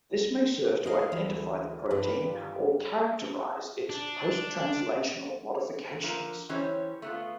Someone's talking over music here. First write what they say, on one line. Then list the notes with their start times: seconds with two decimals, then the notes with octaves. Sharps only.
This may serve to identify the protein or characterize its post-translational modifications.
0.84 G#4 D#5 F5
1.12 D2 E3
1.91 G2 A#2 D4 B4
2.27 G3 F4 G4
3.90 D4
6.02 D3 F3 A#4
6.49 E3 G3 C#4 G4 C5 C#5
7.02 A3 B3 F4